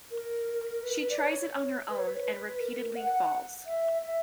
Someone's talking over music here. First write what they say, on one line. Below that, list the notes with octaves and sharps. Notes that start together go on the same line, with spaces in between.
She tries it on her own and repeatedly falls.
A#4
B4
D5
C#5
B4
C#5
B4
B4
A#4
F#5
E5
E5